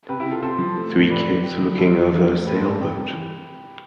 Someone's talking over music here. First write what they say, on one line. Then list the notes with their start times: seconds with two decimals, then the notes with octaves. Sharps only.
Three kids looking over a sailboat.
0.09 C3 G4 B4
0.20 E4 G4
0.26 C3
0.31 F4 A4
0.42 C3 A4 C5
0.59 F3
0.76 A3
0.93 A2
1.10 C3 B4 D5
1.27 C3
1.43 C4
1.61 D3
1.77 C4 A4 C5
1.94 B2
2.12 E3
2.28 A3
2.45 A2 G4 B4
2.54 A4 C5
2.62 A2 B4 D5
2.70 A4 C5
2.79 C3 G4 B4
2.96 C3
3.13 E3